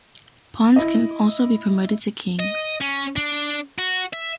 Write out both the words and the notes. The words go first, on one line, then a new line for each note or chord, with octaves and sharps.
Pawns can also be promoted to Kings.
E4 D#5
D#5
C#4
D4
F#4
E5